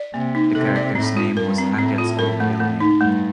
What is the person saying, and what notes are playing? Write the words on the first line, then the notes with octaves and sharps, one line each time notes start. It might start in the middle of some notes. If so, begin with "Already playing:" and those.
The character's name was Hackett's own real name.
Already playing: D5
C3 A#3
D#4
C3 A4
D5
A2 C4
F4
G2 A#4
C4
A2 C4
F4
A#4
A3
A3
D#4
G2 A3